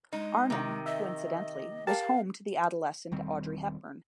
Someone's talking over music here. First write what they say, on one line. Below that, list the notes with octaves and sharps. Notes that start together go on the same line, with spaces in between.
Arnhem, coincidentally, was home to the adolescent Audrey Hepburn.
G#3 D#4
C3 D#3
D#5 E5
G4 A#4 F5 A5
E1 D#3 G3 C4